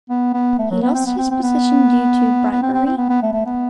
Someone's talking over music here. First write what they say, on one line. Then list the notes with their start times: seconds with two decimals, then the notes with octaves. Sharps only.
He lost his position due to bribery.
0.10 B3
0.34 B3
0.58 A3
0.70 F#3
0.82 B3
0.94 C4
1.06 B3
1.18 C4
1.31 C4
1.42 B3
2.50 B3
2.62 C4
2.73 C4
2.86 C4
2.97 B3
3.09 B3
3.22 A3
3.33 A3
3.46 B3